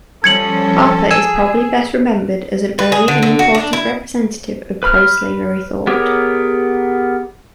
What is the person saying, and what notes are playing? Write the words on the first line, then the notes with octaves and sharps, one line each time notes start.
Harper is probably best remembered as an early and important representative of pro-slavery thought.
F3 G3 C#4 A4 G#6 C#7 F#7
G#4 G#5 E6
B4
G#4
D3
D3
F#4
D4
E4
B4 B5 F6
B3 G4 G#4 A#4 C#5